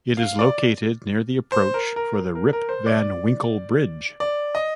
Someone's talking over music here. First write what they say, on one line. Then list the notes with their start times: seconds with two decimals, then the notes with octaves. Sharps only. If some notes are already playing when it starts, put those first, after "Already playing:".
It is located near the approach for the Rip Van Winkle Bridge.
0.17 F5
0.39 D5
1.52 C5
1.74 A#4
1.96 A#4
2.35 A#4
2.53 A#4
2.69 C5
2.86 D5
4.20 D5
4.55 D#5